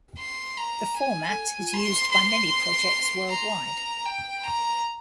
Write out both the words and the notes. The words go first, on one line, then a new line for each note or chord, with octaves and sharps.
The format is used by many projects worldwide.
C6
A#5
G#5
C6
C6
A#5
G5
A#5